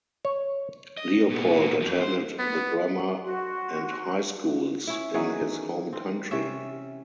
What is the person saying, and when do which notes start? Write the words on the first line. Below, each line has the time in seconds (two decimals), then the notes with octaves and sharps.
Leopold attended the grammar and high schools in his home country.
0.25 C#5
0.97 D#5
1.30 A#2 B3
1.82 F2 F3
2.01 C5
2.39 B3
3.24 F#4 C6
4.87 C#4 E4
5.14 D#3 E3 F#3 G#4
5.93 C4
6.31 C3 C#4 E5